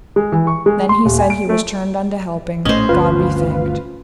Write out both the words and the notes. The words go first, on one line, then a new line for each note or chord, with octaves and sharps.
Then he said he was turned unto helping, God be thanked.
G#3
E3
C#6
G#3
C6
D#1
G#5
D7
A3
A#1 A2 A3 C#4 C5 D#5
G1 D2 F4 B4 F5